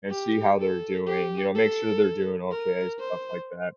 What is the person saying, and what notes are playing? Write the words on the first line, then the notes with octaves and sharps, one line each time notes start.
and see how they're doing, you know, make sure they're doing okay, stuff like that.
G4
A4
G4
A4
A#4
C5